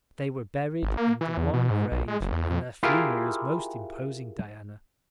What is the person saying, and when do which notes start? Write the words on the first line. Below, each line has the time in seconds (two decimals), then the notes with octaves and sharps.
They were buried in the one grave and their funeral was most imposing, Diana.
0.83 G#1
0.97 A#3
1.21 E3
1.37 E2
1.53 B2
1.71 G#2
1.92 B1
2.08 G#3
2.21 F#1
2.32 E2
2.50 F2
2.83 E4 F4 G4 G#4 A#4 F5